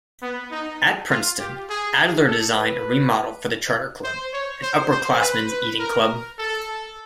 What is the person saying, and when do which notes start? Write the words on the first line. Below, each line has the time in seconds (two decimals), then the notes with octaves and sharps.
At Princeton, Adler designed a remodel for the Charter Club, an upperclassmen's eating club.
0.22 B3
0.51 D#4
1.10 F4
1.39 G4
1.69 G#4
2.27 A4
2.56 B4
4.04 C5
4.33 C#5
4.62 C5
4.91 C5
5.21 B4
5.51 B4
5.80 A#4
6.38 A4